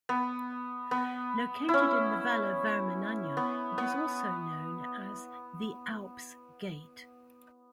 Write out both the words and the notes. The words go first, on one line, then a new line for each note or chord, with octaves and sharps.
Located in the Valle Vermenagna, it is also known as "the Alps' gate".
B3
B3
E4
C#4
B3
B3